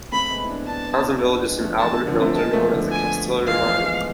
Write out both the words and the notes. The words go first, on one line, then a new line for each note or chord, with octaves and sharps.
The towns and villages in the Alban Hills are known as the Castelli Romani.
A3 C4 B5
G#3 B3
E4
B3 D4
B3 D4 A5
B3 D4
D4
C4 E4
B3 D4
G#3 B3
F3 A3
E3 G#3 A5
C3 E3
D3 F3
D4
A3 C4
G#3 B3 A5
F3 A3
D3 F3
G#5
E3 G#3 F5
F3 A3
G#3 B3